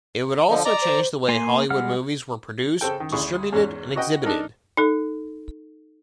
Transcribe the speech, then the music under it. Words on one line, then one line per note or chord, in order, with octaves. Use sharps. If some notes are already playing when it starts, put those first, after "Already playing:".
It would also change the way Hollywood movies were produced, distributed, and exhibited.
D3 F3 D#5
D5 D#5 A#5
C5
A#3 G#5 C6
G3 G#3 B3 F#5 F6
C#3 C4 A4 G5
D#3
G#1 D2 E4 G#4 C#6
E2 G#2 C#4
F#4 B4 D#5 F#5 G5
D4 D#4 A4 A#4
D#4 A4